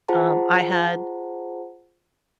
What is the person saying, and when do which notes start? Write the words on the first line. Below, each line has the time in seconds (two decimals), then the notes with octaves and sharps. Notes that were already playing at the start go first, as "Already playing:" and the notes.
um, I had
0.08 F4 G#4 C5 F#5 A5 A#5